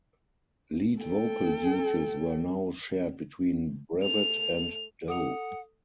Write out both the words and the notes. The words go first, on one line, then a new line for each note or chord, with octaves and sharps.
Lead vocal duties were now shared between Brevett and Dowe.
A4 G5
A3 F7
A4 F#5 D#6 F7